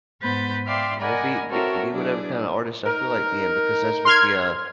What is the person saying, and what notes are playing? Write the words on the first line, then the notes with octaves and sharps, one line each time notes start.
you know, be be be whatever kinda artist I feel like being because that's what the, uh
G#2 B3 B4 C5 G6 A6
D5 E5 F5 G5 C6 D6
A#4 D5 D#5 F#5 G#5 B5
C4 F#4 A4 A#4 C#5 E5
F#3 D4 E4 G#4 D5
D#4 A#4
C6 F6 G#6